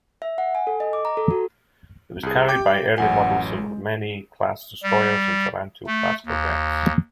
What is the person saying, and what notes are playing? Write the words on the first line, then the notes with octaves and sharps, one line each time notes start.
It was carried by early-model "Sovremenny"-class destroyers and "Tarantul"-class corvettes.
E5
F#5
G#5
A4
D#5
D6
A#5
A4
F#4
C2 G#4
G4 G5 D6 G6
A1 F#2 F#5 G#5
G#3
G3
A3
D#2